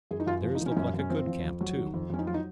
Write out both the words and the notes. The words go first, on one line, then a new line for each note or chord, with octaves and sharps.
Theirs looked like a good camp, too.
F#2 G#4
D#4
F#2 F4
F3
D#4
F3 C#4
D#4
F#2 C#4
F#2
C#4
F3 C4
F3
F2
F#3
D#3
F2
F2 C#4
D#4
F#3 F4
D#4